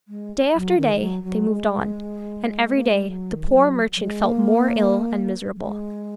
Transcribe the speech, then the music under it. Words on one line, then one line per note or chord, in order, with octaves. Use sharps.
Day after day they moved on, and every day the poor merchant felt more ill and miserable.
G#3
F#3
D#3
D#3
F#3
F#3
G#3
A#3
G#3
F#3
D#3
G#3
F#3
F#3
G#3
A#3
F#3
G#3